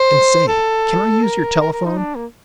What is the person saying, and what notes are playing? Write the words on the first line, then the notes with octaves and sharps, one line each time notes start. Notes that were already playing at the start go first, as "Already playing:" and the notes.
'And say, can I use your telephone?'
Already playing: C5
A4
A#4
A#4
A#4
D#4
D4
A#3